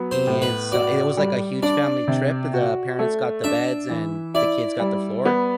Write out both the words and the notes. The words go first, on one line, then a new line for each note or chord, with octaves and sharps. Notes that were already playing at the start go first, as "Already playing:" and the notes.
and so it was like a huge family trip, the parents got the beds and the kids got the floor.
Already playing: F#3 B3
C5
A2
B4
F#4 D5
G3
D4 D5
C3
F#4
A3
D4 E5
E3
E4 D5
G3
B3